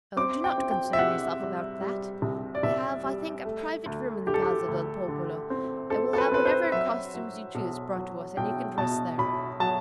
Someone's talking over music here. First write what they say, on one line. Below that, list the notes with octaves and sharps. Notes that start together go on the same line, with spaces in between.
"Do not concern yourself about that; we have, I think, a private room in the Piazza del Popolo; I will have whatever costumes you choose brought to us, and you can dress there."
C4 D6
G5
C4
G5
E5
C3 F#5
G3
G3
C2
D5
C2 E5
G3
A3
D2
D3 G4
A4
G4
D2
D3
C4
C4 A4
A4
B4
C4 B4
C5
F#3 E5
F#3
B1
F#3
B1 G5
B2 A5
B1 B5
F#3 A5